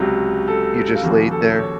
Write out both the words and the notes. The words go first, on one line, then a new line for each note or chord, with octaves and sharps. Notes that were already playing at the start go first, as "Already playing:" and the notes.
You just laid there?
Already playing: C#2 C3 F#3
A4
F4
D#2 C#3 F3 F#4
A4
C#5